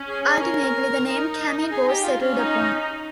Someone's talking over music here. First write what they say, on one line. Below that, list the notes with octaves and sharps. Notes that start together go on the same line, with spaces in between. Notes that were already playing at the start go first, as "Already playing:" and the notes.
Ultimately the name 'Camin' was settled upon.
Already playing: C#4
G#4
G#4
A#4
D#4
G#4
G4
F4
C#4
D#4